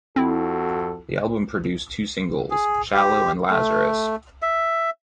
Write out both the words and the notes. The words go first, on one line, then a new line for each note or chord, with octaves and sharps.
The album produced two singles: "Shallow" and "Lazarus".
F2 C4 E4 F#4 A4
G#4
G4
A3
E5